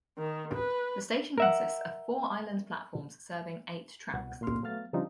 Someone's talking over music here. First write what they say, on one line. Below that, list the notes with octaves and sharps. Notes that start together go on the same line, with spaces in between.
The station consists of four island platforms serving eight tracks.
D#3
B4
A#4 E5 F#5
C2 B2 F#5
A#2 A#3 C6 F6
F#3 A3 B3 F5 F6 A6
C#3 F3 G3 D4 D#4 F4